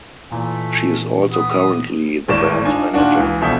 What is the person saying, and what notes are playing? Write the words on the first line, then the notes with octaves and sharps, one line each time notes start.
She is also currently the band's manager.
A#2 E3 A3 G#5
B3 D#6
G#1 A2 D5 A6 E7
D4 D#4 F4 G#5
A#2 D#3 D4 F#4
C#2 E3
A#1 B2 B3 A4 E5 G6